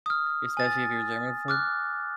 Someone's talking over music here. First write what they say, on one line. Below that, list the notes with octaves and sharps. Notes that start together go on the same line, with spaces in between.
Especially if you're a germaphobe.
D#6 F6
G#5 A6
D6 F6 F#6